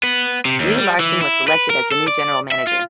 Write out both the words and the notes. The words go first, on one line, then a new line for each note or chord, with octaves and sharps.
Lee Larson was selected as the new General Manager.
B3
C3
D#2
G3
E3
E4
B4
A#4
A4
D5
E5
F4